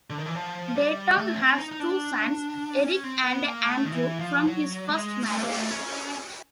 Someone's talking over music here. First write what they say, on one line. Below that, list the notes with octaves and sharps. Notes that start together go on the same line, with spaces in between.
Dayton has two sons, Eric and Andrew, from his first marriage.
D3
D#3
E3
F3
G3
A3
C#4
C4
D#4
D#4
D4
C#4
C4
B3
A#3
A3
D#3
E3
F3
F#3
G#3
A3
A#3
A3
C#4